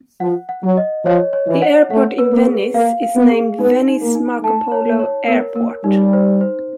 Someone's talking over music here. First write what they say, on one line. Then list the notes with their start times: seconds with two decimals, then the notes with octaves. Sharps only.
The airport in Venice is named Venice Marco Polo Airport.
0.20 F3 F#5
0.49 F#5
0.64 F#3
0.77 D#5
1.05 F3 C#5
1.33 C#5
1.47 E3
1.62 F#5
1.90 A3 F#5
2.18 B4
2.32 A#3
2.46 G#4
2.74 A#3 F5
3.03 F5
3.16 B3
3.30 G#4
3.59 B3 D#4
3.88 D#4
4.01 A#3
4.15 D#4
4.43 A3 A5
4.72 C#5
4.85 A#3
4.99 C#5
5.28 B3 A#4
5.56 A#3 A#4
5.84 G3 D#4
6.13 C5
6.41 C5